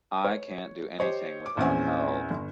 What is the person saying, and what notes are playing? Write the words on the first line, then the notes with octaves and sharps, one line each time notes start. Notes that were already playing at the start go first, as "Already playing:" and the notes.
I can't do anything without help.
C#5
G4 C5 C#5 D#5
D6
A#1 E2 C4 C#4 G#5
G1